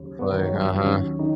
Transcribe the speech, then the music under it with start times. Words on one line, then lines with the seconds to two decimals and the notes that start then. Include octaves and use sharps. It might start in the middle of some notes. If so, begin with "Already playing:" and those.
Like, uh-huh.
Already playing: D#2 C#3 F#3
0.19 B3
0.31 D#3 D#4
0.44 F#3 F#4
0.81 D#2 D#3 F#3 C#4
1.19 D#3 D#4